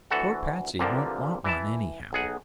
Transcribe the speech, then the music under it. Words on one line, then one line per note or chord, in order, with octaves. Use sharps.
Poor Patsey won't want one, anyhow.'
D2 E3 F#4 A4 F#5
C2 G2 A#2 D3 F3 A#3
E3 E4 A5
B1 G#4 F#5